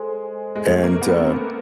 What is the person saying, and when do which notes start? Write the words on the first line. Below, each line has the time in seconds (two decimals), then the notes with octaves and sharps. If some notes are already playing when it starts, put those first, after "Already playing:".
and, uh,
Already playing: G#3 A4 C5 D#5 G#5 C6
0.55 G#3
0.66 A3
0.83 A#3
1.01 B3
1.20 C4